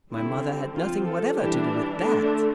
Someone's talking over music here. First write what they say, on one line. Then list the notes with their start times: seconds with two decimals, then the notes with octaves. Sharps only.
My mother had nothing whatever to do with that.
0.12 D3 G3 C4 E4
0.75 F3 C4 F4
1.06 A4
1.37 E3 G3 D4 G4
2.00 D3 A3 D4